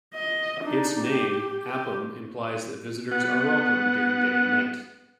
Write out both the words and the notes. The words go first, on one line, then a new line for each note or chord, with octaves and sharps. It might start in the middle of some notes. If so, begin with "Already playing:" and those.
Its name 'apm' implies that visitors are welcome during day and night.
D#5
D4 D#4
G4
G4
B3 F#5